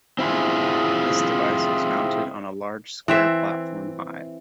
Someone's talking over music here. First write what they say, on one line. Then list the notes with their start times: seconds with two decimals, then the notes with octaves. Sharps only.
This device was mounted on a large square platform high.
0.19 C4 E4 F4 G#4
3.08 E3 C4 E5